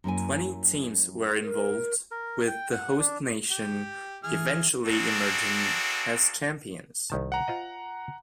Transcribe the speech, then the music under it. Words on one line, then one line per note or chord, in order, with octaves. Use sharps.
Twenty teams were involved, with the host nation eventually emerging as champions.
F#2 A#3 E4 G#5
A#4
A#4
G5
F#5
D4
G4
E3 G#4 F6
A#3 C4 D4 F#4 G#4 A4
C2 D#3 A5
F#5 A#5
F4 C5 D#5